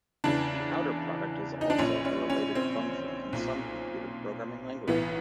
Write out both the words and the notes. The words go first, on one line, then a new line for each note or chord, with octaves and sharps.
The outer product is also a related function in some computer programming languages.
E2 C#3 E3 D4
D#4
D4
A#1 A#2 C#4
C#4
C#4
C4
B1 A#2
B1 A2 E3 B3